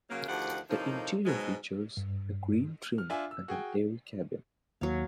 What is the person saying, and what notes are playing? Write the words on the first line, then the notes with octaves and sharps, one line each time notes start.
The interior features a green trim and an airy cabin.
C#3 F#3 A#3
D2 D#3 F3 F4 G4 F#5
A2 C3 F3 A#3 D#4
G#2 B2 F#3 G#3
G2
F6
D4 F4 E5 G#5
E6
F#4 G#4 G5
D#2 F#3 F5